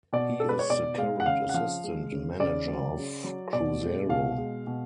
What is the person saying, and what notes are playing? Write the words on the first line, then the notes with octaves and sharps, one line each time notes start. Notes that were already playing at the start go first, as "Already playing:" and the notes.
He is the current assistant manager of Cruzeiro.
B2 D5
G#3 A4
B4
C#5
B2 D5
G#3 F5
F#5
C#3 F5
F#5
F3 F5
G#3
C#3
C#3 D5
F#3
C#3
F#3
B2 D5
G#3
B2 F5
G#3
B2